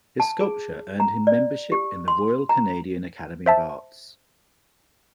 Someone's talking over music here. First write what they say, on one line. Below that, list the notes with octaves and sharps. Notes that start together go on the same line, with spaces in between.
His sculpture earned him membership in the Royal Canadian Academy of Arts.
A5
G#4
A#5
D5
G4
C6
A#5
C5 E5 A5